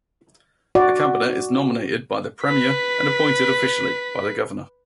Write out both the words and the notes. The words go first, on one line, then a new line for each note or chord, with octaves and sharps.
A cabinet is nominated by the premier and appointed officially by the governor.
F#4 D5
B4 B6